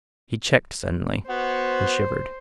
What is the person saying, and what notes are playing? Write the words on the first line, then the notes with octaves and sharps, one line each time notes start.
He checked suddenly, and shivered.
B3 F#4 C5